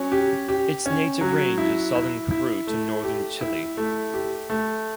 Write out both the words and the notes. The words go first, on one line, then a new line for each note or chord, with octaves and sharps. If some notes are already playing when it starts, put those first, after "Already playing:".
Its native range is southern Peru to northern Chile.
Already playing: F#3 C#4
G4
G4
C#4
F#3
E4
E4
E4
A3
G4
E4
A3
G4
A3